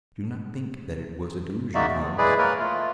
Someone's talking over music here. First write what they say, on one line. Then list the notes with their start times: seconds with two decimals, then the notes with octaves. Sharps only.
Do not think that it was a delusion, Holmes.
1.75 G#3 A#3 D#4 F#4 D5 E5
1.94 E2
2.18 G#3 E4 G#4 B4 D5
2.38 A#3 A#4 B4 C#5
2.59 A3 F4